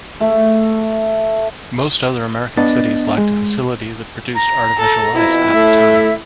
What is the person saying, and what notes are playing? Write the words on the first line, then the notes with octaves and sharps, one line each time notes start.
Most other American cities lacked a facility that produced artificial ice at the time.
A3
B3 D4 D#5 A6
G#3
A#5
A4
F2 B2 E4
A3 E5